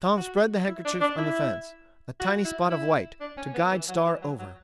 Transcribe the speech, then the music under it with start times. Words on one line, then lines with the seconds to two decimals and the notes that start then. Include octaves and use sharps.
Tom spread the handkerchief on the fence--a tiny spot of white to guide Star over.
0.17 F#4
0.68 E4
0.85 D4
1.01 D4
1.18 E4
2.20 F#4
2.45 E4
2.70 E4
3.21 D4
3.37 C#4
3.54 B3
3.71 E3
3.88 F#3
4.05 E3
4.22 F#3
4.39 F#3